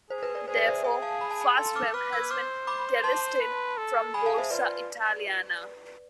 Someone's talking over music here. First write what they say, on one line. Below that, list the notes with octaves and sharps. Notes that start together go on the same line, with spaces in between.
Therefore Fastweb has been delisted from Borsa Italiana.
G#4 C5
B4
B4 D5
G#4 C5
B4 D5
C5 E5
G#4 E5 G#5
F5 A5
B5
A5
G#5 B5
A4 A5 C6
D6 F6
B4 D6 F6
E6 G#6
C5 D6 F6
B5 D6
A5 C6
B4
A4
G#4 G#5 B5
F5 A5
C5 E5
F4 B4 D5